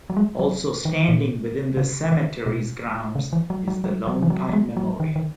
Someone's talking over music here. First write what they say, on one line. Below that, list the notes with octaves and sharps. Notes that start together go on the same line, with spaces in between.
Also standing within the cemetery's grounds is the Lone Pine memorial.
F#3
G#3
F#3
D#3
A#2
C#3
D#3
B2
C#3
E3
F#3
F#3
F#3
F#3
E3
F#3
F#3
G#3
F#3
D#3
D#3